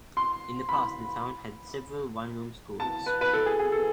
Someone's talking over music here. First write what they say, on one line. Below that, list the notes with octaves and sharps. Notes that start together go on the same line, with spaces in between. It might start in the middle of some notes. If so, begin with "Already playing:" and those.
In the past, the town had seven one-room schools.
C6
B5
A5
B4
B4
A4
G#4
G#4
A4